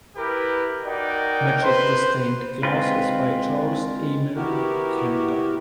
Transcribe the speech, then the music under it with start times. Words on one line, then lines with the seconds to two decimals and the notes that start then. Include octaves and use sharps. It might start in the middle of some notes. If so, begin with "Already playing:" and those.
Much of the stained glass is by Charles Eamer Kempe.
0.17 E4 G4 A#4 B4
0.86 D#4 F#4 A#4 D5 G5
1.63 B4 C5
2.63 G#3 C4 F4 B4
4.36 B3 E4 F#4 G4 A#4